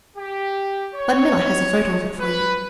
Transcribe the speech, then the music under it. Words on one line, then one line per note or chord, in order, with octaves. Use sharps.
Ludmilla has a photo of it for you.'
G4
C#5
B4